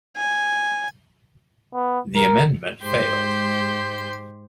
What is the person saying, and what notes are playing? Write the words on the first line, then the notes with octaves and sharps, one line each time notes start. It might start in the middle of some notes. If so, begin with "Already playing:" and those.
The amendment failed.
G#5
B3
A#4
G#2 G#3 G4 C5 C6 G6